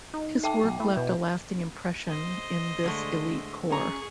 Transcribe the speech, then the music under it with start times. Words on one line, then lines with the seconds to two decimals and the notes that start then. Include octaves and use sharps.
His work left a lasting impression in this elite corps.
0.14 D#4
0.44 A4 E5 G5 D6
0.64 B1
0.80 A3 E4
0.97 B2 B4
2.09 C5 D#5
2.84 D3 G#3 A3
3.70 C#4 G#4 A#5 C#6